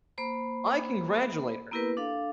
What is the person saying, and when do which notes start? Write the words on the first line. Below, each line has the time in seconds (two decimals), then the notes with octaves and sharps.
I congratulate her.
0.18 A#3 C5 B5
1.71 A#3 B3 E4 G4 A#4 B4
1.97 D4 A4 F5